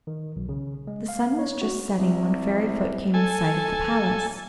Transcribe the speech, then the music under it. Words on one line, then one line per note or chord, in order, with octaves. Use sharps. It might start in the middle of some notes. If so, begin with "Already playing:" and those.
The sun was just setting when Fairyfoot came in sight of the palace.
D#3
B1
C#3
G#3
F5
C#5
F#4
C2
A4 G#5